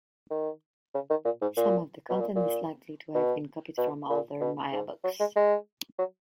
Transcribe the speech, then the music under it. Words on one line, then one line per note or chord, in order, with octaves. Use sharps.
Some of the content is likely to have been copied from older Maya books.
D#3
C#3
D#3
A#2
G#2
A#2
B2
A#2
A#2
B2
B2
A#2
B2
G#2
F#3
G#3
G#3
F#3